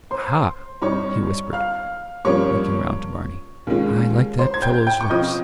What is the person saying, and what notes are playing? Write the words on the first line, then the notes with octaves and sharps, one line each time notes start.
'Aha!' he whispered, looking round to Barney, 'I like that fellow's looks.
C5 C6
G2 G3 C4 D#4 C#5 C#6
F5 F6
G2 F3 A#3 C#4 C#5 C#6
D#2 D#3 G#3 C#4 F4
C5 C6
G#6
G5 G6
G5 G6
C#6
C#3 F3 C4 F4 D#5 D#6